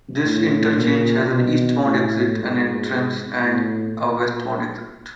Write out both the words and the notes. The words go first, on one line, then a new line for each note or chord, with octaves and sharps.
This interchange has an eastbound exit and entrance and a westbound exit.
A2
A#2
B2
A2
G#2
A2
A#2